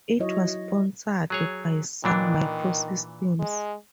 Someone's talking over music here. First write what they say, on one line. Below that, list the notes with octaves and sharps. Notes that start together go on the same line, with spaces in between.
It was sponsored by Sun Microsystems.
F#3 E4 C#5 D#5
F#3 G#4 C#5
A#2 D#3 E3 D4
G#3